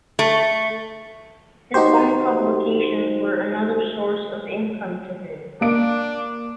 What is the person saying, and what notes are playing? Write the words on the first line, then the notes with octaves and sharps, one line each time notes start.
His own publications were another source of income to him.
A3
D#4 F#4 G4 C5
A#3 D4 D7